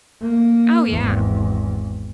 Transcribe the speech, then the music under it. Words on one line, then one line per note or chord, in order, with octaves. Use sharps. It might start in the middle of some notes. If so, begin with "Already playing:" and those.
Oh, yeah.
A#3
G#1 E2